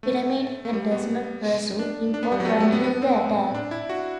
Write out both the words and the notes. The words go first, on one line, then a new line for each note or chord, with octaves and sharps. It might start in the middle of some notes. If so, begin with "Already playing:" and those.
Pyramid Head does not pursue him or continue the attack.
A3
A3
G3
B3
D4
D4
B3
G3
F#3
A3
G3
A3
B3
B3
C4
D4
E4
F#4